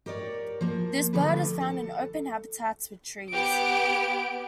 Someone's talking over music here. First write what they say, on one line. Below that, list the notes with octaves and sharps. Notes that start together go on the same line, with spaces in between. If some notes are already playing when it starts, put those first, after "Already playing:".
This bird is found in open habitats with trees.
G4 A#4 C#5 D5
F3 A#3
D3 F3 A3 G4 A4 B4
A4
B3 G4 D7